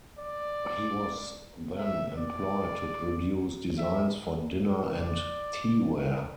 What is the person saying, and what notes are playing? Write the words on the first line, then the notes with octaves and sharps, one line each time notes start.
He was then employed to produce designs for dinner and teaware.
D5
E5
D5
E5
D5